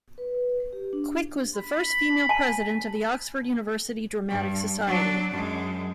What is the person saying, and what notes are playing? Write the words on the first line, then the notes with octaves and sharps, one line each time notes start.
Quick was the first female president of the Oxford University Dramatic Society.
B4
G4
D4
B5
G#5 A5
G2
F#3 D4
F#2 G#3